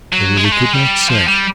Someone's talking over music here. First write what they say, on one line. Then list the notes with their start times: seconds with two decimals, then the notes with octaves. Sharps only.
I really could not say?'
0.13 F#3
0.37 G#3
0.44 A3
0.52 G#3
0.73 G3
1.09 F3
1.28 G3